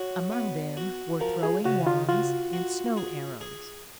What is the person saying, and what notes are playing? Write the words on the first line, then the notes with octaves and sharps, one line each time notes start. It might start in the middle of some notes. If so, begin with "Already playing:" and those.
Among them were throwing wands and snow-arrows.
Already playing: F#4 C#5
B3
F#4
F3 A#4
G#4
C#3 F#4
F4
F4 F#4
F#4
G#4
G#4